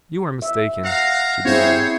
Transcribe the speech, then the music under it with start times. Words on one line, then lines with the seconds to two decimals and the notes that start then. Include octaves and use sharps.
"You are mistaken," she began.
0.42 E5
0.85 F5 F#5 A#5
1.45 C4 E4 G#4 C5 C#5